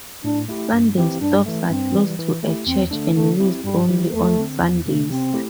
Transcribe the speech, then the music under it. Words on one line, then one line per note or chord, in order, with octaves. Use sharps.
Sunday stops are close to a church and used only on Sundays.
A2 D4
A3 E4 G4
G2
E3 C4 E4 G4
G2 D4
E3 A3
G2 C4
E3 G3
E3
A3 E4 G4
E2 C4
D3 A3 D4
D3 A3
C4 E4 G4
G2 G3
E3 G3 E4 G4
E2 A3
D3 C4
E2
C3 A3
C3 C4
A3 E4 G4